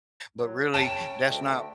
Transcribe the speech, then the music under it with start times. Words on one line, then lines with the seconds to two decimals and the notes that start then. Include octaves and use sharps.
but really that's not
0.39 F#3
0.74 C#3 G5 A5 E7
1.29 D2